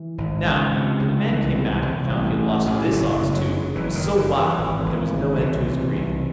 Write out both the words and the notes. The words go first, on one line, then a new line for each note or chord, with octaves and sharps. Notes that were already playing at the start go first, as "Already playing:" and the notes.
Now, when the man came back and found he had lost this ox too, he was so wild that there was no end to his grief.
Already playing: E3
G#1
C#2
C3
C#2
C2 E3
C3
C2
A1
A2
A1
F#1 F#3
F#1
F#3
C#3
F#1 E3
D#3
F#1
E3
C#3
E3
G#1
G#1
C#3
C2 E3
C3
C2